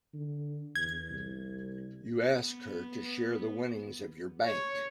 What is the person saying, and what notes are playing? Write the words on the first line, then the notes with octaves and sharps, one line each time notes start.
You asked her to share the winnings of your bank.
D3
E2 G#6
C2
B3
C#5